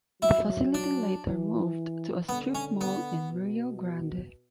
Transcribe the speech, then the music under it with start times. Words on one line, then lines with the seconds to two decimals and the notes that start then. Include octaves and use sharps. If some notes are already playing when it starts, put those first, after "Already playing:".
The facility later moved to a strip mall in Rio Grande.
0.21 F#3 E4
0.74 D4
1.26 E3
2.29 D3 B3
2.55 C#4
2.81 B3
3.33 B2